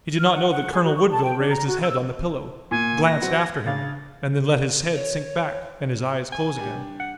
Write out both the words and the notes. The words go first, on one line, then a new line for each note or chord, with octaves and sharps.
He did not know that Colonel Woodville raised his head on the pillow, glanced after him, and then let his head sink back and his eyes close again.
F6
F#5
F#5
G#4
F#4
C#6
A5
G5
D4
A#5
F#4
E6
A#2 G#5
A#6
F#3 C4 F#5
G#6
C#3 D4 F5 A6
C#5
G#5
G3 D4 G4
F#5